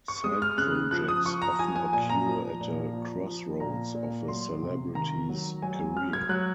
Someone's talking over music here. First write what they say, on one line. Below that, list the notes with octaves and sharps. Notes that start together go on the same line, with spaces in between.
Side projects often occur at a crossroads of a celebrity's career.
C#6
G#3 D#6
F6
C#3 F#6
F3 F#6
D#6
F3 C#6
A#5
F3 G#5
G#5
A#2 G#5
A#5
F3
A#2
F3
F3
A#2 A#5
A#2
F#3 C6
C3
D#3 A#5
F#3
F#3 G#5
G#5
F#3 F6
G#6
F#3 F#6